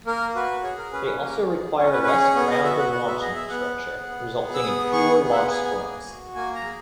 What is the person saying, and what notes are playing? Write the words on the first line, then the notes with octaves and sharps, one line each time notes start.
They also require less ground and launch infrastructure, resulting in fewer launch scrubs.
A#3 A#4
F#4 B4
G#4 C#5
A#4
C#4 B4
B4
A#3 A#4
G#4
C#4 C#5
B4
B4
G#4 C#5
C#5
B3 C#5
D#5
F#4 E5
F#5
B3 F#5
E5
G#4 D#5
E5
B3 F#5
G#4
B3
G#4
E6
B3 D#6
G#4 C#6
B3
E5
F#5
G#4 G#5
G#5
A#3
F#4
A#3 G#5
A#5
G#4